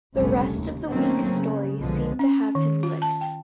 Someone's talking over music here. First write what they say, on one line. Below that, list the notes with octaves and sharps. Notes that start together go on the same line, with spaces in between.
The rest of the weak story seemed to have him licked.
F1 A#1 C#3 G3 A3 C#4
D#2
D#3 F#3 A3 A#3 C4 C#4
C#3
B1 B2 D3 F3 G#3
C#4
D#3
F4
A5
G5